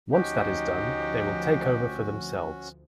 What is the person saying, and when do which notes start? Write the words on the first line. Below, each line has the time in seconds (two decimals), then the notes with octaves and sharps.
Once that is done, they will take over for themselves.
0.14 D2 F3 C#4 D#4 F#4 G4